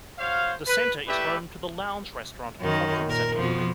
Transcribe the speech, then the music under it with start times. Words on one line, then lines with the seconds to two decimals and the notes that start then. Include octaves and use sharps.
The centre is home to "The Lounge Restaurant and Conference Centre".
0.18 F#4 C5 C#5 F5
0.67 B4
1.07 A3 E4 G4 B4 D5 E5
2.60 F#2 D#3
3.05 A#2 A#4
3.36 F2 B2 F3